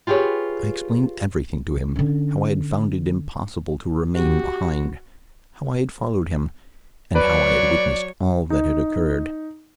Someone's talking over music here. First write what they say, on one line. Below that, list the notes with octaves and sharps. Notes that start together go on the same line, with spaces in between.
I explained everything to him: how I had found it impossible to remain behind, how I had followed him, and how I had witnessed all that had occurred.
F4 G4 G#4 B4 C#5
D3 C#4
F#4 G4
F#3 B4 C#5 D5
D#4